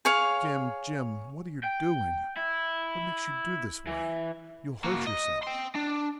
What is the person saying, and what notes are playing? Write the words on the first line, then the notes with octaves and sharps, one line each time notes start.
"Jim--Jim--what are you doing--what makes you do this way--you'll hurt yerself."
G#4 C#5 F5
G5
E4
E3
A#3 F#4
D#5
G5 C6
D4